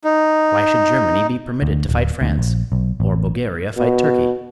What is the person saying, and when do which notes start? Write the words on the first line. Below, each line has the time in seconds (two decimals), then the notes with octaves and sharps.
Why should Germany be permitted to fight France, or Bulgaria fight Turkey?
0.04 D#4
1.62 D2
1.89 D1
2.22 D2
2.38 A#1
2.72 B1
3.00 A1
3.77 B2